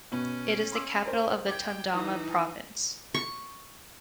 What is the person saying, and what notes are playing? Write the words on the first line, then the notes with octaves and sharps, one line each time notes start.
It is the capital of the Tundama Province.
B2 B3 C#4
C6 D6 E6
A#4 C5
G5 D6 G#6
E3 D#4
C#6